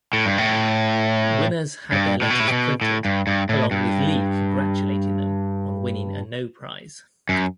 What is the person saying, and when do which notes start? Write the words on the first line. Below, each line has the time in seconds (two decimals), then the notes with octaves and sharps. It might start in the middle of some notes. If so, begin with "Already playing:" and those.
Winners had their letters printed along with Lee congratulating them on winning a No-Prize.
0.13 A2
0.26 G2
0.38 A2
1.92 G2
2.22 A2
2.30 B2
2.40 A2
2.48 C3
2.52 B2
2.81 A2
3.05 G2
3.27 G2
3.49 A2
3.71 G2
7.29 F#2